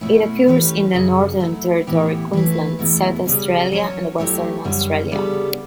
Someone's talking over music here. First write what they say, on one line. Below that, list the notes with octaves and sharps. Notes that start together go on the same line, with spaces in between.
It occurs in the Northern Territory, Queensland, South Australia, and Western Australia.
B2 A3 C#4 E4
E3 A3 C#4 G4 B4
F#2 C#3 F#3
F#3 A3 E4
A2 E3 B3 E4 G4
E3 A3 E4 B4
E2 B2 A3 E4
C#3 G3 C#4
F#3 C#4 G4 C#5
F#3 A3 E4 G4 C#5
F#2 D3 G3 C#4
C#3 G3 B3 D4 A4